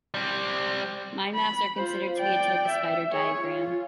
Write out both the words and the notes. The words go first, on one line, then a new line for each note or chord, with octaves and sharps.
Mind maps are considered to be a type of spider diagram.
G3 C4
B5
F4 C5
D5 G5
E5
G#4 C#5
F4